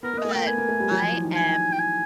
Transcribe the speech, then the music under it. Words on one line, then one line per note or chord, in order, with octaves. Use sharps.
But I am
B3 A#4
A#3
D#5
A3
A#3 G5
B3 G#5
A#3
A3
G3
F#3
F3
E3
D#3
G#5
G5
G#5